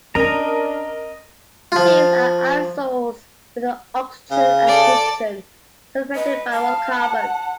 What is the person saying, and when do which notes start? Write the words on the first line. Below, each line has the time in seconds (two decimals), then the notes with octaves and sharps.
These are azoles with an oxygen and a nitrogen separated by one carbon.
0.15 C#4 D4 A#4 D#5 A#5
1.72 F3 F4
4.31 C#3
4.67 A4 D5
6.15 B4 D#5
6.53 F5 A5
6.98 F#5